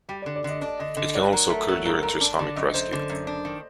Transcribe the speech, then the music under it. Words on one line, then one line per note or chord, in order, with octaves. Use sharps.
It can also occur during trisomic rescue.
G3 G4
D5
D3
D5
D3 D#5
D4 D5
D3 D#5
D3 D#5
F#3 D5
F#3 A#4
A3 A#4
F#3 A4
G2 A#4
G2 A#4
D4
D3 D5
F#2 D#5
F#2 C5
D3
F#2
D4
D#3